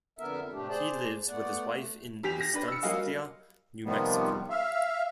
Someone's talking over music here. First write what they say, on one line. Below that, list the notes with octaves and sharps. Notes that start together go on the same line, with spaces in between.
He lives with his wife in Estancia, New Mexico.
F2 D3 B3 A#4 E5
A2 C3 A3 D4 G4
G#4 C5 D5 A5
A3 B3 D5 F#5
A3
E2 G4 B6 F7
A#6
D4 B4
E6 C#7
F#3 G3 A#3 D#5 F5
C3 D#3 F3 G3 B3
E5 F5